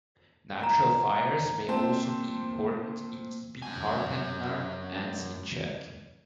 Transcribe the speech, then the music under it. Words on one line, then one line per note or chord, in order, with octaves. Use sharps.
Natural fires may also be important in keeping carpenter ants in check.
A#5
A#2 C4 C5 A5
F#2 G#5